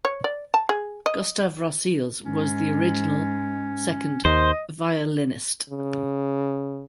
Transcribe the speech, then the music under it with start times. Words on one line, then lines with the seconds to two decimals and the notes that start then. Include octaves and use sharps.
Gustave Rosseels was the original second violinist.
0.05 C#5
0.24 D5
0.54 A5
0.69 G#4
1.06 D#5
2.25 G#2 C#4
4.25 D#2 C5 D#5
5.70 C#3